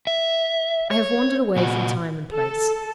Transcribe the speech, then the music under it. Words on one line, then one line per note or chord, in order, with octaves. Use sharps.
I have wandered away from time and place.
E5
C#5
A#2 F#4
A4